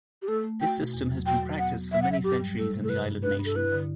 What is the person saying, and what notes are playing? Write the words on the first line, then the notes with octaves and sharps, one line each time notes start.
This system has been practised for many centuries in the island nation.
G4
A3 A4
A3
F#4 G5
B2
E2
F#3
F#4 G5
F#3
B3 F#5
F#3
F#3 E5
F#5
F#3 E5
G2 G4
G3
G3 A4
C3
A4
G2 B4
G2
D4 B4
G2
A4
E4 B4
D3